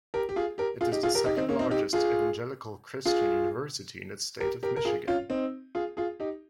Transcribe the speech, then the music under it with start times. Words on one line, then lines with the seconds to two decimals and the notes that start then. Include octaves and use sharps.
It is the second-largest Evangelical Christian University in the state of Michigan.
0.14 G4 A#4
0.29 G4
0.36 F4 G#4
0.58 G4 A#4
0.81 F4 G#4
0.92 D#4 G4
1.03 F4 G#4
1.14 G4 A#4
1.26 D#4 G4
1.36 C4 D#4
1.49 A#3 C#4
1.59 C4 D#4
1.71 D#4 G4
1.93 F4 G#4
3.05 F4 G#4
4.40 G4 A#4
4.63 G4 A#4
4.76 A#4
4.85 F4 G#4
5.07 C#4 F4
5.30 C4 D#4
5.75 F4 G#4
5.97 F4 G#4
6.20 D#4 G4